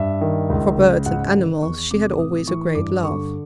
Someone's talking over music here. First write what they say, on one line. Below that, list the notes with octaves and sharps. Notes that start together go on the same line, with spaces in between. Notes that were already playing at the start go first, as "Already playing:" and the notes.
For birds and animals she had always a great love.
Already playing: G2 E5
D#3
C#2
C#3
G#2 F#5
D#3
E2 C#6
C3 D6
A2 D#6
E3 C#6
G2 D6
D3 C#6